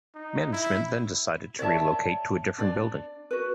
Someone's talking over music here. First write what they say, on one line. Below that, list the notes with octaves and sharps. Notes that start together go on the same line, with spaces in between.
Management then decided to relocate to a different building.
D#4
E4
C#5 D5 E5 A5
D4 D5
F#4 B4